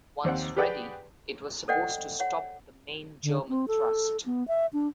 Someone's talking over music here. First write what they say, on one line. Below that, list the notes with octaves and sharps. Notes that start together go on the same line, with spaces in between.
Once ready, it was supposed to stop the main German thrust.
D#2 C4 F#5
G4 G#4 B4 D5 F#5 G5
A4 C5 D5 D#5 F#5 G5
C#5 F#5
D3
C4
A4
B3
E5
D4